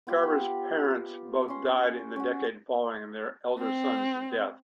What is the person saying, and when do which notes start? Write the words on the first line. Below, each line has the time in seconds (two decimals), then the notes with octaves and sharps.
Garber's parents both died in the decade following their elder son's death.
0.07 B3 F4 G4 B5
1.48 C#4 C6
2.16 C#4 F#4
3.59 C4